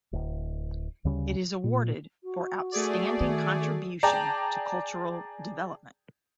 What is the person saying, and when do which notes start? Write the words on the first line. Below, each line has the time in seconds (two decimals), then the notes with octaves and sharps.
It is awarded for "outstanding contribution to cultural development".
0.13 D1
1.05 D2 C#3 G3 C#4
1.64 A#2
2.24 F#4
2.72 A3 G#4 D5
3.21 D#3
4.03 G#4 D5 G5 A5 A#5